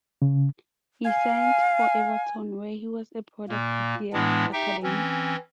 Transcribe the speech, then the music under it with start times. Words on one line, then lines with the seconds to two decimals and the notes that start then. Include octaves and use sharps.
He signed for Everton where he was a product of their academy.
0.22 C#3
1.05 F5 G#5
3.49 A#2 A#3
4.13 A2 E3 G#3 B3 D4
4.53 D#4 G4 E5 G5
4.83 E3 C4 C#4